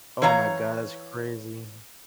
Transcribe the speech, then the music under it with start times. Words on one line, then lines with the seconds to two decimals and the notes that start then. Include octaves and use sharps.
Oh my god, that's crazy.
0.22 E3 C#5 F5 A#5